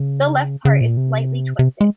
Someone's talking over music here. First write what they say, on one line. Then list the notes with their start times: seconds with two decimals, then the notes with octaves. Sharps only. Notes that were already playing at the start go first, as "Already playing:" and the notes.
The left part is slightly twisted.
Already playing: C#3
0.65 C#3
0.81 A#2
0.97 C3
1.59 C3
1.81 G#3